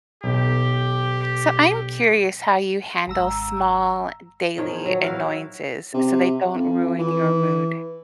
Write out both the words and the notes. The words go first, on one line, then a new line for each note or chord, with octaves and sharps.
So, I'm curious how you handle small, daily, annoyances so they don't ruin your mood.
B1 G4
G#1 A#5 E6
D#3 F3 C#5
F#3
E4 F#4 F5
C3
F2
E3